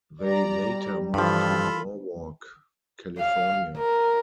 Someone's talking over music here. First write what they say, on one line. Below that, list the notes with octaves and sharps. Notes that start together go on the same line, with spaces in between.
They later moved to Norwalk, California.
G3 D5 A#5
G2 E3 F3 F4 A4 B5
F5
A#4